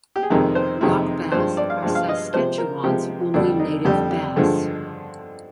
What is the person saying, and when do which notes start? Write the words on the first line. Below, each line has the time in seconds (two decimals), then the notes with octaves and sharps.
Rock bass are Saskatchewan's only native bass.
0.16 G4
0.23 G#4
0.30 F2 C3 D#3 G#3 A#4
0.55 C5
0.81 F2 C3 D#3 G#3
1.32 G2 F3 G#3 C5
1.57 D5
1.70 F5
1.83 G2 F3 G#3
1.95 F5
2.08 D#5
2.33 C3 F3 G#3 C5
2.58 A#4
2.84 C3 F3 G#3 G4
3.34 F2 D3 G3 D4
3.59 D#4
3.85 F2 D3 G3 G4
4.11 G4
4.36 G2 D3 F3 G#3